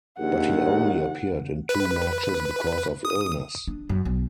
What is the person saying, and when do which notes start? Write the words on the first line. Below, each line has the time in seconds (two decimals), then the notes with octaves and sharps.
But he only appeared in two matches because of illness.
0.19 A#1 D#2 F#5
1.69 B4
3.05 D#6
3.67 D4
3.89 F#2
4.05 B1